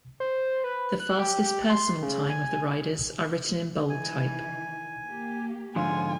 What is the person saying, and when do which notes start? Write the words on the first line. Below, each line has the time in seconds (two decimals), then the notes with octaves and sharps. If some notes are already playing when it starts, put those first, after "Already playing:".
The fastest personal time of the riders are written in bold type.
0.20 C5
0.64 B4
1.00 F#6
1.19 G4
1.70 C6
2.02 C#3
2.30 G#5
3.90 D#3 E3 G#5
5.05 A#3 G4
5.76 G#2 D3 F3 F4 G#5